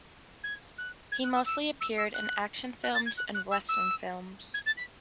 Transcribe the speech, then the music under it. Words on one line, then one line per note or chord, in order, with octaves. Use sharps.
He mostly appeared in action films and western films.
G#6
F#6
G#6
F#6
E6
E6
E6
E6
F#6
F#6
A6
G#6
F#6
F#6
E6
E6
G#6
A6
B6